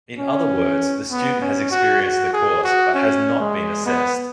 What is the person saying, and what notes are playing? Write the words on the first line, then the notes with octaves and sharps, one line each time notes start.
In other words, the student has experienced the course, but has not been assessed.
C#4
B3
C#4
F#4
F#4
G#4
F#4
C#4
G#3
B3